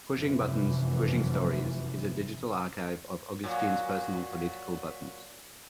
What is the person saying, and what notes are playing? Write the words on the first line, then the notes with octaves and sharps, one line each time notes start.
"Pushing buttons, pushing stories" is a digital archive of Augustine's personal political buttons.
F1 F#2 C3 E3 F3
A#2 F#3